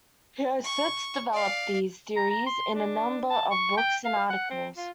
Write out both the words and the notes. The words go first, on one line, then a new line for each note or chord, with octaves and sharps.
He has since developed these theories in a number of books and articles.
C#6
D5 F5
A#5
A#5
C6
D4
A5
C#6
G5
F5
F#5
C4
F4